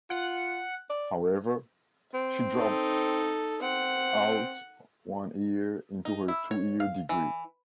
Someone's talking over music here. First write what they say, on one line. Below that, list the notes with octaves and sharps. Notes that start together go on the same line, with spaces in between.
However, she dropped out one year into her two-year degree.
F4 F#5
D5
C4
D#4 A4
C4 F#5
D#4
E4
C#5
F5
E3